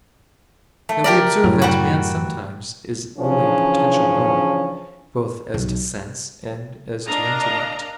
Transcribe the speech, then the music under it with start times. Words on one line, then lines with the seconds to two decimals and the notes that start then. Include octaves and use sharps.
Now we observe that man sometimes is only a potential knower, both as to sense and as to intellect.
0.89 A3
1.04 G4 A#4 D5
1.44 F#2 A2
1.62 G3 F#4
3.18 C#3 E3 F3 C#4 D4
5.54 B1
7.06 D4 A#4 D#5 F5 A#5